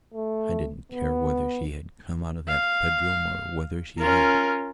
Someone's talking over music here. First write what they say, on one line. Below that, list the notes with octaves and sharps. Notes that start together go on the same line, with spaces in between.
I didn't care whether she had come out of that bedroom or whether she hadn't.
A3
B3
F5
C#4 F4 A#4